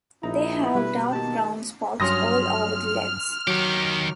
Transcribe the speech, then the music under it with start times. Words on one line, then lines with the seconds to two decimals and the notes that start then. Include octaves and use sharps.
They have dark brown spots all over the legs.
0.23 A#1 D#4 E4 A#5
0.75 B2 G3 B4
1.12 D#3 A#3 G4 A5
2.00 G2 F#3 C#4 C6 D#6 F6 A#6
3.47 D#3 F#3 G4